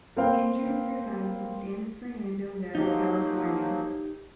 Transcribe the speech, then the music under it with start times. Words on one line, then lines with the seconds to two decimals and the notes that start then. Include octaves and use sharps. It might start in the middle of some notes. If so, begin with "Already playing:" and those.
Andrews resides in San Fernando Valley, California.
0.17 A#3 C4 B4 F5 G5
2.75 F3 F#3 A#3 D#4 G4